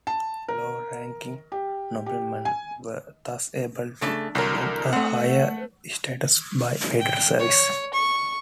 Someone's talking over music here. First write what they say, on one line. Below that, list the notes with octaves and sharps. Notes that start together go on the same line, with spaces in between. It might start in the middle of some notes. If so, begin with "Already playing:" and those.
Lower-ranking noblemen were thus able to gain a higher status by military service.
A5
A#4
G4
G4
G#5
C#3 A3 D4
C2 D3 E3 F#3 A#4
A3 C4 F#5
G5
C#5
C#6